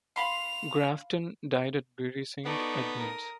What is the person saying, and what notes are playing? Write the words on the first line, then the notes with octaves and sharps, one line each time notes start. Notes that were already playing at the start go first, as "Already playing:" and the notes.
Grafton died at Bury Saint Edmunds.
F5 B5 C6 F7
B3 D#4 A4 D5 C#6
A#4 D#6